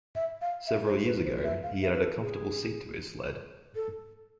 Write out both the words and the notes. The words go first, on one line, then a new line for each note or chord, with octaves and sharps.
Several years ago, he added a comfortable seat to his sled.
E5
F5
E5
C5
B4
C5
E5
F5
E5
B4
A4
G#4
A4